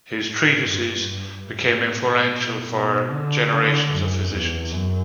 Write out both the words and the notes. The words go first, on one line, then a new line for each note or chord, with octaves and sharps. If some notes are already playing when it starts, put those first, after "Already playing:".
His treatises became influential for generations of physicians.
A2
G2
G2
A2
B2
B2
D3
D3
F#2
E2
F#2